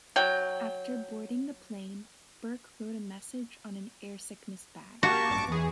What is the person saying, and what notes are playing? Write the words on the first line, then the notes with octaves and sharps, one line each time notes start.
After boarding the plane, Burke wrote a message on an airsickness bag.
F#3 G5
A#3 F#4 G4 A#4 A5 C#6
A1 G2 D6
E2 E3 G#4